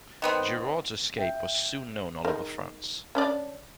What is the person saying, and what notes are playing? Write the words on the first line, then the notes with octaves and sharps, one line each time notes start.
Giraud's escape was soon known all over France.
D#3 B3 C4
E5 G5
D#3 G#3
C#4 D4 D5